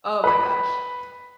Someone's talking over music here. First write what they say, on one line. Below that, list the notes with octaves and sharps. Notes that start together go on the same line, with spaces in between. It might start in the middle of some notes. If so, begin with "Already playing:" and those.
Oh my gosh.
B4 B5